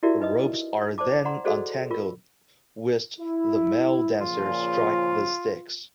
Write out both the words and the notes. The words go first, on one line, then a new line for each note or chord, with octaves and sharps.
The ropes are then untangled whilst the male dancers strike the sticks.
E4 F#4 G4 A#4 D5 E5
D#4 B4 D#5 D#6
C5 D5 A5 D6
D5 F#5 A#5 C6
F#4 G#4 A4 C5 D5 D#5
F4 A#4 C#6
E4
A#2 C#3 F3 F4